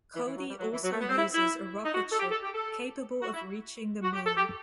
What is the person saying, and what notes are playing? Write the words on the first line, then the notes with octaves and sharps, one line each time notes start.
Cody also uses a rocket ship capable of reaching the Moon.
E3
E3
F#3
G3
F#3
E3
F#3
A3
B3
C4
E4
E4
D#4
F#4
A4
G4
A4
G4
A4
F#4
E4
F#4
G4
A4
G4